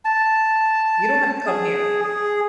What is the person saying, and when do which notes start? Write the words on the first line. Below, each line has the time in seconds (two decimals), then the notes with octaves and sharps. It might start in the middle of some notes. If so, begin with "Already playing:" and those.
You don't have to come here."
0.05 A5
1.46 G#4
2.04 G#4